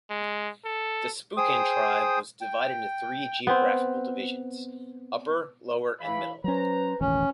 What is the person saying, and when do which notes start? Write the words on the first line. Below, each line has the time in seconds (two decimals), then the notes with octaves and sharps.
The Spokane tribe was divided into three geographic divisions, upper, lower, and middle.
0.10 G#3
0.65 A4
1.37 G#4 C5 G5 D#6
2.41 G5
3.47 B3 C4
6.01 E3 F5 B5
6.44 F#3 C#4 B4 C5 A#5
7.01 E1 A1 D#3 C#4